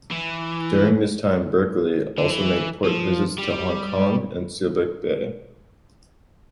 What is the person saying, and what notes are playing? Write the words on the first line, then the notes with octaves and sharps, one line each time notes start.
During this time, "Berkeley" also made port visits to Hong Kong and Subic Bay.
E3
D3
E3
F3
G3